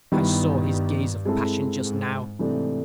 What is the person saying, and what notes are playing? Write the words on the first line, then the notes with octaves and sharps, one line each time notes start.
I saw his gaze of passion just now.
G2 D#3 G3 B3 E4
G#3 C4 E4 A4
G#2
G#2 C3 E3 A3 D4